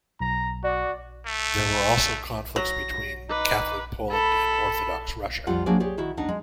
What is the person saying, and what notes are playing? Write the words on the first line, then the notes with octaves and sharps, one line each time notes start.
There were also conflicts between Catholic Poland and Orthodox Russia.
B1 A#5
F#4 D5
A3
F#3 A#6
D#4 B4 D6
A4 B5
F2 G3 F4 F#5
F#3 A#3 D4 G#4 C5 D5
G4 G#4 C#5 D5
D#3 E4 F#4
D#2 D4 D#4 F#5
G#3